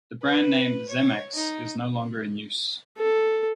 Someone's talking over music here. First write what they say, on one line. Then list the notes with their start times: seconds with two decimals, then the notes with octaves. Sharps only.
The brand name "Zemmix" is no longer in use.
0.22 B4
0.89 C#5
1.34 D#4
2.98 A4